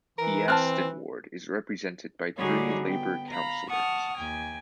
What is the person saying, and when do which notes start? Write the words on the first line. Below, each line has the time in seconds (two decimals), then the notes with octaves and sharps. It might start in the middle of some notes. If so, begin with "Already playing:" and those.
The Aston ward is represented by three Labour councillors.
0.18 E3 A#4
0.48 C4 A5 F6 F#6
2.38 D3 G3 D#4 F#4 G#4 C#5
2.85 B3 G5
3.31 F5 A#5 B5
3.69 F#5 A5 C#6 D#6 F6
4.19 D#2 G5 G#5